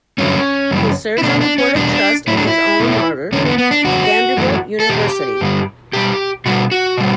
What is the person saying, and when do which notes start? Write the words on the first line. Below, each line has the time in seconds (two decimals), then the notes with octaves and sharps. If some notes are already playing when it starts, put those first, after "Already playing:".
He serves on the board of trust of his alma mater, Vanderbilt University.
0.18 G2 D3 F#3 A3 C#4
0.71 F#2 C#3 E3 G3
1.18 E4
1.23 B2 A3 D4
1.41 D4
1.58 C#4
1.75 E2 B2 G3 D4
2.28 A2 F#3 A3 E4
2.37 D4
2.47 E4
2.80 B2 A3
3.32 E2 D3 A3 C#4
3.45 B3
3.58 B3
3.71 D4
3.84 E2 C#3 F#3 F#4
4.37 F#2 E3 A3
4.80 A4
4.89 E2 B2 G4
5.41 G2 D3 G3
5.93 B2 G3 G4
6.45 B2 G3 F#4
6.71 F#4
6.97 B2 G3